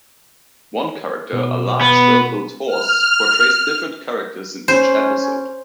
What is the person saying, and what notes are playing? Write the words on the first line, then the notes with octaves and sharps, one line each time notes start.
One character, a large, well-built horse, portrays different characters in each episode.
B2
B3
F6
C#4 C5